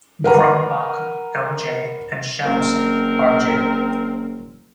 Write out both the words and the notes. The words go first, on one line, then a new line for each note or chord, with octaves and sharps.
Cronbach, L. J., and Shavelson, R. J.
A#4 B4 F#5 A#5
F#1 C4 A#4